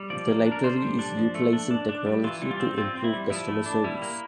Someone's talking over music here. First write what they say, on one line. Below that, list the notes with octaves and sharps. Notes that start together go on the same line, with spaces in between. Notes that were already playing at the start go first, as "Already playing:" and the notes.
The library is utilizing technology to improve customer service.
Already playing: G3
F3 D5
A#3
D4
A#4
D3 C5
G3
D4
F3
A3
D4
D4
D4
G3
E3 F4
G3
F4
C4
C4 F4
C4
E4
G3
F3 E4
A3
D4
G3 E4
A#3